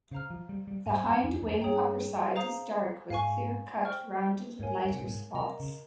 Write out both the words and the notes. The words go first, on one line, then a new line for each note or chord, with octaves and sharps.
The hindwing upperside is dark with clear cut rounded lighter spots.
C#3 C5 F5 A#5 F6
F3
G3
G3
G#2 C5 D#5 G#5
G2
F2
F2
G2 G#4 C#5 G5 A#5
C5 F5 A#5 D#6
G#2 F5 G#5 C#6
C5 G5 C#6 F6
G#2 A#4 C#5 F5 G#5
G2
C3
A#2
G#2
C3 A#4 D#5 A#5
C#3